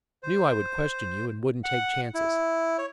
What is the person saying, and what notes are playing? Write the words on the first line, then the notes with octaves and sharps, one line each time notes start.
Knew I would question you and wouldn't take chances.
C5
F#5
E4
C#5